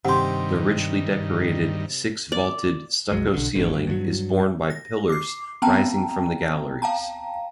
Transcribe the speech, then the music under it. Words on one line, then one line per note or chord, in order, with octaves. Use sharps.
The richly decorated six-vaulted stucco ceiling is borne by pillars rising from the galleries.
G2 C3 D#3 G4 F#5 C6
D5
C2 F#2 F#3 G#3
B1 D3
G#1 A2 D3
G2
G2 D3 F#3
A#6
D6 C7
B3 C4 G5 A5 A#5
F5 G5 A5 A#5